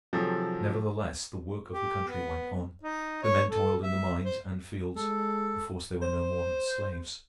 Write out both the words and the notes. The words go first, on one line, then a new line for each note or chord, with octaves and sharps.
Nevertheless the work of the country went on. The men toiled in the mines and fields--perforce they were no more than slaves.
C3 D#3 F3 F#3 G#4 A4
G4
B3
D#4
C#5
A4
E5
C5
G#3 A4
C5